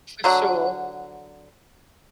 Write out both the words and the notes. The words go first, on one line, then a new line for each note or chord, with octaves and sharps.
For sure.
D3 F#3 F#5